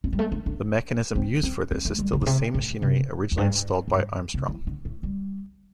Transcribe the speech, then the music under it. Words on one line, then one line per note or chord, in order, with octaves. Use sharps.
The mechanism used for this is still the same machinery originally installed by Armstrong.
C4
G3
A3
D4
D4
C4
C4
C4
A3
G3
D3
A2
C3
A2
C3
E2
G2
A2
G2
C3
E3
D3
A2
G3